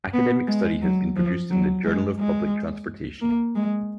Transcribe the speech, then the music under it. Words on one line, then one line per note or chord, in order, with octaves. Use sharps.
An academic study has been produced in the "Journal of Public Transportation".
B3
G#3
F#3
F3
F#3
G#3
G#3
A#3
G#3